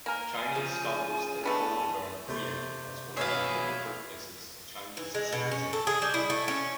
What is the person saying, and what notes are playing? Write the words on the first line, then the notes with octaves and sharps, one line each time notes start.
Chinese scholars therefore regard Puyang as one of the important birthplaces of Chinese civilization.
A#3 A#4 G#5
C#3 F3
A3 B3 D4
C3 A3
B2 C#4 G#4 B4 E5 F5
E3
G#3
B2
C#4
A4
G#4
G3
E4
A3
C#4